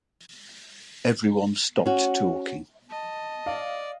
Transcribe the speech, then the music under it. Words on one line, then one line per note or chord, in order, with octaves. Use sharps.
Everyone stopped talking.
C#4 F#4
D#5 A5
D5 F5